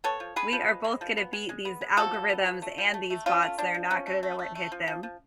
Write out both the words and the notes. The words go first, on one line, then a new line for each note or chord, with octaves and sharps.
We are both gonna beat these algorithms and these bots. They're not gonna know what hit them.
B3 A4 C#5
F3
B3 G#4 B4
F3
G#3
G#3
F3
B3
G#3
G#3
B3
G#3
F3 F#4 A4
F3
B3
F3
A3
F3
A3
A3
F3 C#4 F4
A3
F3 D4
F3
F3 C#4
A3
A3
A3
A3
F3
F3
F3